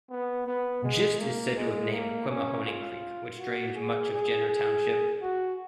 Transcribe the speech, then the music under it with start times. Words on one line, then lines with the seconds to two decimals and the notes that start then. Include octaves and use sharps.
Gist is said to have named Quemahoning Creek, which drains much of Jenner Township.
0.10 B3
0.46 B3
0.83 G#3
1.19 A#3
1.56 G#3
1.92 A#3
2.29 C#4
2.65 F4
3.38 F#4
3.75 G#4
4.12 G#4
4.48 G#4
5.22 F#4